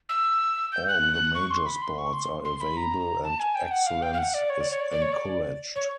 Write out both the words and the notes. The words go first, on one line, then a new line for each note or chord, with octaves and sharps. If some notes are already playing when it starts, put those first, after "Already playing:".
All the major sports are available and excellence is encouraged.
E6
G6
F#6
C#6
C6
B5
C6
C#6
C6
C6
B5
A#5
A5
G#5
G5
F#5
F5
G5
F5
F#5
D5
C#5
D5
C#5
D5
D5
C#5
D5
C#5